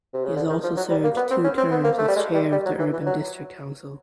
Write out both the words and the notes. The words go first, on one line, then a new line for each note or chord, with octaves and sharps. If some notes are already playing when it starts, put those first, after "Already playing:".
He also served two terms as chair of the Urban District Council.
C3
C#3
D3
D#3
F3
F#3
G3
A#3
B3
C4
C#4
C4
B3
A#3
A3
G3
G#3
G3
G3
F#3
E3
E3
F#3